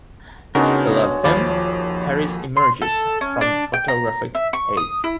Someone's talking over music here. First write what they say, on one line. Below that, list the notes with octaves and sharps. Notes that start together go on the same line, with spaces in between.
Below him, Paris emerges from the photographic haze.
C#3 G#3 B3 D4 D#4 F#4 A#4 C#5
D#2 F3 F4 B5 D6
C6
A4
C#4
D4
G5
A#5
E5
C#6
D#6
E4